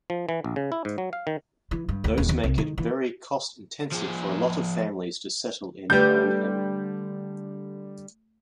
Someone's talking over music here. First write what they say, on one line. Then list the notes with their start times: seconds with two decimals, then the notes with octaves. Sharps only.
Those make it very cost intensive for a lot of families to settle in Enghien.
0.10 F3
0.29 E3
0.44 A#1
0.56 C#3
0.72 E4
0.85 G#2
0.98 F#3
1.13 F5
1.27 D#3
1.71 E3
1.89 G2
2.04 D2
2.18 D#1
2.29 D#2
2.44 C2
2.58 D#3
2.78 E3
3.92 F3 G#4
5.90 D3 G3 A3 G4 B4 G6